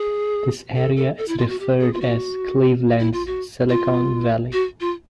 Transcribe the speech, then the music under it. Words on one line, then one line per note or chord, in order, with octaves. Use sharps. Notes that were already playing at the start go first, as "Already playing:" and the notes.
This area is referred as Cleveland's Silicon Valley.
Already playing: G#4
A4
A4
A4
E4
F4
F#4
G4
G#4
F4
F#4
E4
F4
F#4
F4
F#4
F4